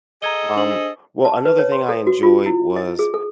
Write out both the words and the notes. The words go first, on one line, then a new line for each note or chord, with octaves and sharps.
Um, well, another thing I enjoyed was,
G#4 A4 D#5 A#5 G#6 G7
D4 C5 F#7
A5
B4
C#5
C6
A4
F#4
F4
E4
D#5
G#4
A4